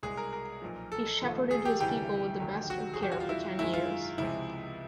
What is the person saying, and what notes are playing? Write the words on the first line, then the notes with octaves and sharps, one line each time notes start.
He shepherded his people with the best of care for ten years.
C2 B2 G#3 G#4
A#4
A#4
B1 A#2 F3
A4
G#1 G#2 F3 A3
G#4
G4
D2 C3 E3 G3 G4
F1 D#2 D3 F#3 A3
F#4
G#4
E1 E2 B2 G3 G4
F#4
F4
E4
F#2 D#3 G#3 E4
F4
C#2 C3 F3 G#3 E4